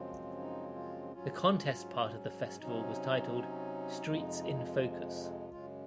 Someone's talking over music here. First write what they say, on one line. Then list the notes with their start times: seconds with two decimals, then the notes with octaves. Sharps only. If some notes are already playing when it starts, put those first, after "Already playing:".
The contest part of the festival was titled "Streets in Focus".
Already playing: F#2 C#3 F3 G#3 C4
0.39 D#4
0.76 F4
1.13 G#2 F#3 C#4 F4
2.58 C3 F#3 C#4 D#4
4.04 F2 C3 F3 G#3
5.49 F#2 C#3 G#3 F4